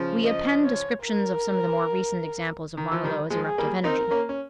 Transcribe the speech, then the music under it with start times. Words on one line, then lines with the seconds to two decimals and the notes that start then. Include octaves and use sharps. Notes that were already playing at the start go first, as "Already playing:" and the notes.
We append descriptions of some of the more recent examples of Mauna Loa's eruptive energy.
Already playing: C#3 F3
0.23 D#5
0.64 C#5
1.04 A#4
2.77 D#3
2.92 F3
3.04 D#3 G3
3.30 F3 G#3
3.44 G#4
3.58 G3 A#3
3.84 C4 D#4 A#4
4.11 A#3 C#4
4.29 C#4